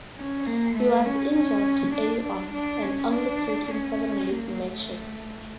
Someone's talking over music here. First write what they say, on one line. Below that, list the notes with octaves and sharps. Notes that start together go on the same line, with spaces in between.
He was injured early on, and only played in seven league matches.
C#4
A#3
A3
C#4
C#4
D4
D4
D4
C#4
D4
C#4
A#3
A3